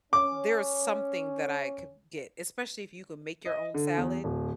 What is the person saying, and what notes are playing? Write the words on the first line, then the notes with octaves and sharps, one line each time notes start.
there is something that I could get, especially if you could make your own salad
C#4 D6
D#5
D3
E2
D1